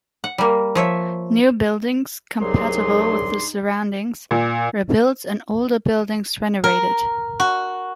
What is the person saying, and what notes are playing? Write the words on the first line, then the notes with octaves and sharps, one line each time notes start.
New buildings, "compatible with the surroundings", were built and older buildings renovated.
F#5
G3 A#3
F3 C#5 E5
C2 G2 F#3 D#4 G#4 D5 C6
A#2
A#4
F#4